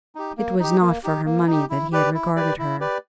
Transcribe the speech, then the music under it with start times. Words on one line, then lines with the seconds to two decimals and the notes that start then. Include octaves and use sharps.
It was not for her money that he had regarded her.
0.15 D#4 G4
0.37 A#3
0.60 D#4 G4
0.81 A#3
1.04 D#4 G4
1.26 A#3
1.47 D#4 G4
1.70 E4
1.92 G4 B4 D5
2.14 E4
2.36 G4 B4 D5
2.59 E4
2.80 G4 B4 D5